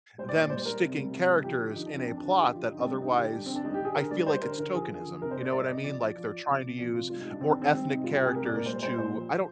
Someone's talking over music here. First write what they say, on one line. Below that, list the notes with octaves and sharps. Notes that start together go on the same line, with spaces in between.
them sticking characters in a plot that otherwise I feel like it's tokenism. You know what I mean? Like, they're trying to use more ethnic characters to I don't
G3 C5
D5
A#2
D5
G3 C5
G3 A#4
C3
G3
C3
G3
F3 G4
D3
F3 D#4
D4
F3
C4
F3 D4
D4
D3
D#4
F3 G4
F3 F4
D3 D#4
C4
G3 D4
D3 D#4
D3 G4
G3 D4
D3 C4
D4
G3 D#4
G4
D3 G#4
D3 A#4
G3 D5
G3 C5
D3 A#4
D3 A#4
F3 G#4
F3
D3
C3 A#4
C5
C3 D5
G3 D5
D#5
C3 D5
F3 D5
F3
F3
F3
C3
C3
F3 D5
C3 F4
G3 F4
D#4
G3
D4
D#3 C4
D4
D#3
C4
G3 C4
C3 D#4
G3 F4
G4
C3
G#4
G3 A#4
D5
A#2 A#4
G3 C5
G3 C5
A#2 C5
F3
F3